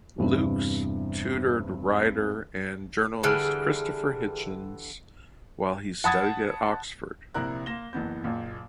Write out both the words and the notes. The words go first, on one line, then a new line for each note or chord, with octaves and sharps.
Lukes tutored writer and journalist Christopher Hitchens while he studied at Oxford.
E2 G2 C3
D3 E3 G3 G#4 F6
F#5 A5 B5 D#6 G#6 A6
A#1 C3 E4 A#4 F#6
A#3 C6 A#6 E7 G7
F#1 E3 B3 G6
F#1 A#2